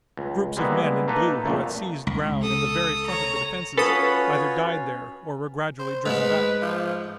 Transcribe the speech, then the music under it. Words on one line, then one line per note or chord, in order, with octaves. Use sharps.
Groups of men in blue who had seized ground in the very front of the defenses either died there or were gradually driven back.
C#2
G3 G#3 A#3 B3 E4
A#3 D#4 A4 B4
F2 A#2 A3
C#2
A4 D#6
C#5 A#5
C#4 F4 F#4 A4 B4 C#5 D#6
C5
G#2 G#3 B4
F3